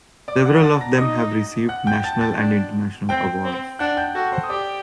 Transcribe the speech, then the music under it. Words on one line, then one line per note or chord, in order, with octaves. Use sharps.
Several of them have received national and international awards.
D5 D6
F#5 F#6
A5 A6
A#5 A#6
D#4 D#5 D#6
F#5 F#6
G5 G6
A5 A6
A5 A6
D4
C4 G5 G6
C4
D4 F#5 F#6
G5 G6
F#4 A4 A5
C5 C6
D#6
G4 D5 D6